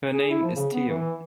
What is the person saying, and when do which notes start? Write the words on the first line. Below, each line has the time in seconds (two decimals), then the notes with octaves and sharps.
Her name is Teo.
0.13 G#4
0.29 E4
0.43 F3
0.56 C#3
0.73 B3
0.89 E3